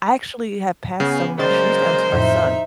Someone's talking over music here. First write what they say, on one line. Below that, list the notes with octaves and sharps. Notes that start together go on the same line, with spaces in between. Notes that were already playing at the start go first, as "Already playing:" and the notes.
I actually have passed some of my shoes down to my son.
C#3 B3 G#5
C#3 F#3 G#3 A#3 C5 D5 A6
F2 A2 D#4 E5